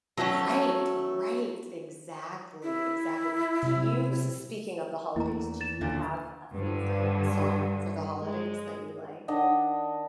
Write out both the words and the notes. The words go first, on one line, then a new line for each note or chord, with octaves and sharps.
Right, right, exactly, exactly, do you s s speaking of the holidays, do you have a favorite song for the holidays that you like?
F#3 A3 C4 C#4
E4
C3
E2 A3 A#3 E4 A#5
A6 E7
D#2 A#2 D3
G2 D3
G#3
D#3 D4 D#5 F#5